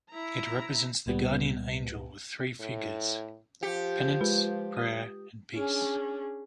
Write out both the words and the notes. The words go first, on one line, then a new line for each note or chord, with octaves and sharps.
It represents the Guardian Angel with three figures: Penance, Prayer and Peace.
E4 A#5
C#2 A#2 G3 B3
A2
F3 G4 C#7
G#3 F4 B4
D#6
C#4 D4 G#4